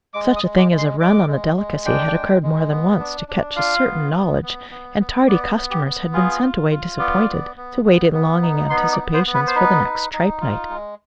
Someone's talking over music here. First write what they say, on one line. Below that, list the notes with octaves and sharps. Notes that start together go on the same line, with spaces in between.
Such a thing as a run on the delicacy had occurred more than once, to Ketch's certain knowledge, and tardy customers had been sent away disappointed, to wait in longing anticipations for the next tripe night.
G#3 D6
D#6
G#3
D6
G#3
C6
G#3 D6
G#3
G#3
D4 G5
G#3
G#3
B3
D4
D4
F4 F5
B3
B3
B3
B3
B3
B3 D5
B3
G4
B3
F4 G#4
F4
F4
B3 D5
B3
B3
B3
B3
D#4
B3 C6
D5
B3
C5
B3
B4
C5
D#4 B4
D#4
D#4
F4
G#3